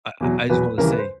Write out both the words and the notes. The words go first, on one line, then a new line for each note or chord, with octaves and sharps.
I I I just wanna say,
E2 B2 F#3
E2 B2 F#3 B4
D#2 C#3 E3 G3 A#4
B4
C5